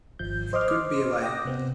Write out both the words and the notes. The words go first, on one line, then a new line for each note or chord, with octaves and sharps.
It could be a while.
G#1 F3 G6
C5 D#5 C6 D6 F6
D#5 F#5 G5 D6 D#6 A#6
C3 B3 C4